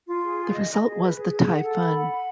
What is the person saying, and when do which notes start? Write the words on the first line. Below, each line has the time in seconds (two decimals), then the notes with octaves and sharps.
The result was the Taifun.
0.08 F4
0.24 G#4
0.39 G#4
0.54 D#5
0.70 D#5
0.86 G#4
1.01 B4
1.16 G#4
1.32 G#4
1.47 F#5
1.63 A4
1.79 B5
1.94 F#5
2.09 B5